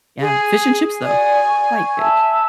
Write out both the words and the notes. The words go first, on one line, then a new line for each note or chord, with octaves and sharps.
Yeah. Fish and chips, though. Quite good,
G#4
F#4 D5 G#5 D#6
C#6
E5 A5 E6